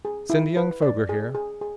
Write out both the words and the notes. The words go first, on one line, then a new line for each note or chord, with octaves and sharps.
"Send young Foger here."
G#4
E4
B4
D5
G#4
G#4
G#4